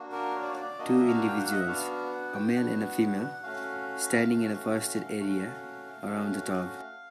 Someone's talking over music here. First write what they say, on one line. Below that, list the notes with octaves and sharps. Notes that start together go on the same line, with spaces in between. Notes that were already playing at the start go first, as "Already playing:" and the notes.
Two individuals, a male and a female, standing in a forested area around a tub.
Already playing: A#3 D4 F#4
A#4
C#5
D5
C#5
D5
A#3 D4 F#4 D#5
E5
F5
G5
F#5
D#5
E5
B3 D4 F#4 F5
F#5
G5
B3 D4 F#4 F#5
F#5
F#5
F#5
A3 C#4 F#4 F5
A3 C#4 F#4
A3 C#4 F#4
A3 C#4 F#4